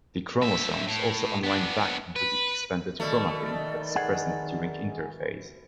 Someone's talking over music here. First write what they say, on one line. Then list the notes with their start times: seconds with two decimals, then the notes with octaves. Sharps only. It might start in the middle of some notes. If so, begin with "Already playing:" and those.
The chromosomes also unwind back into the expanded chromatin that is present during interphase.
0.41 G2 E5
0.88 A2
1.43 B3 D4
2.16 B4
3.00 B2 D#3 A3 D5
3.96 G#4 F#5